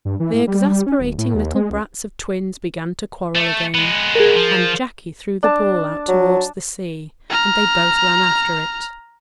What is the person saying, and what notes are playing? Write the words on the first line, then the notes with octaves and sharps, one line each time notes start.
The exasperating little brats of twins began to quarrel again and Jacky threw the ball out towards the sea and they both ran after it.
G2
E3
A2
G3
G3
C#4
D1
A2
D#2
G#3
C#2
A3
G#3 B3
G#4 A#4
F3
D4 A5
F#3
A#5 F6